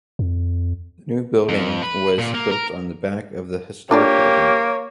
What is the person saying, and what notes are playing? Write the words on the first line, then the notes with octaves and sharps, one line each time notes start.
The new building was built on the back of the historic building.
F2
F2
B4
A#2
A#3
A#4
A#3 D4 F4 G4 C#5 D5